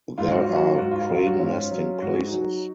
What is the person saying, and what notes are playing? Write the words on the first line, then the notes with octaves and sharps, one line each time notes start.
There are crane nesting places.
G#2 F4
F#4
F4
F#3
F#4
F4
G#2 F#4
F4
F#4
F#3
F4
F#4
G#2 C#4 F4
F#3
G#2 F#4
G#4
D#4 F#4
F#3